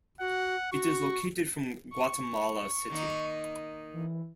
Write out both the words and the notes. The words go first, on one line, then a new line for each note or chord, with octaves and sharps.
It is located from Guatemala City.
F#4 F#5
F#4 C#6
C#6
D#3 A#3 D#4
E3